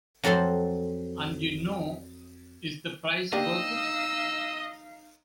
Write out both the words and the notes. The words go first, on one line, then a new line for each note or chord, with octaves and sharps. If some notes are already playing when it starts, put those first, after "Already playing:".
And, you know, is the price worth it?
F2 F#3 A4 C5 C6
A#3 D4 D#4 G4 D#5 F5 E6